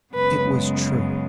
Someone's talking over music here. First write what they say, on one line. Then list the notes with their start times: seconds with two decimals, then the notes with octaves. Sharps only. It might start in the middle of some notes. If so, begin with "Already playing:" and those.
It was true.
0.14 F#2 C#3 G#3 B3 B4